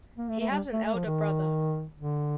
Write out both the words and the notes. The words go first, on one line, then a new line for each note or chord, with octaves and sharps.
He has an elder brother.
A#3
A3
A3
G3
A3
A3
F3
D#3
D3